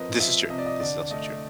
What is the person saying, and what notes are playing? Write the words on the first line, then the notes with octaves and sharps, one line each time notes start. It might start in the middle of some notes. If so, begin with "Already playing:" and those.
This is true, this is also true.
Already playing: F3 C4 A#4 B4 D#5
F3 E5
C3 D#5
D5
D#5
D3 D5
A3 D#5